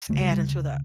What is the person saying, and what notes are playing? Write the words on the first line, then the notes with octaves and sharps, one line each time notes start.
adding to the
D2 C#3 A3
G3
G3